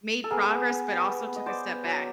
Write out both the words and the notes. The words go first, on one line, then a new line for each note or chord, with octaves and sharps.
made progress, but also took a step back.
A4
B3 G#4 A#4
B3
B3
G3
B3
B3
D#5
B3 C5 D5
B3
F#3